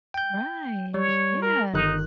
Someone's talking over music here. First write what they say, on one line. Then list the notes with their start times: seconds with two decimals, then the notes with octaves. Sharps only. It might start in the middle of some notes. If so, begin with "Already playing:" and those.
Right. Yes.
0.14 G5 G6
0.94 G3 C#5
1.42 A#4
1.74 G1 D#3 D#4 F#6